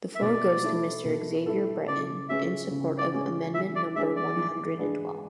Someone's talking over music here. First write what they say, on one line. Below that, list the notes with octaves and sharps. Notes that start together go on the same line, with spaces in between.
The floor goes to Mister Xavier Breton in support of amendment number one hundred and twelve.
E5
B2 D5
A3 E4 A4
B2
A3 E4 A4
C#3 D5
G#3 C#4 G#4 B4 E5
C#3
D5
G#3 C#4 G#4 B4
E3 E5
D5
G#3 D4 G#4 B4 E5
D5
E3
G#3 D4 G#4 B4